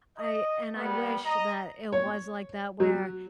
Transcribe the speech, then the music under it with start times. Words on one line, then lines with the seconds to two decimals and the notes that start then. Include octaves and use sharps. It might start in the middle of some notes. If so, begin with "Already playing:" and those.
I and I wish that it was like that where,
0.18 D#5
0.76 G3 A#3 B3
1.25 D#5 A#5
1.93 C#5
2.80 F#3